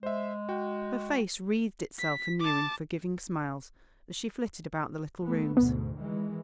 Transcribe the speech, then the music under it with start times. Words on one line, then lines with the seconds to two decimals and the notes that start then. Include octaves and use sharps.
Her face wreathed itself anew in forgiving smiles as she flitted about the little rooms.
0.03 G#3 C5 E5
0.49 F#4 G5
1.98 B6
2.40 A5 D6
5.23 A3 B3
5.57 D2 G#2 B2 B3
5.97 D#3 E3 G#3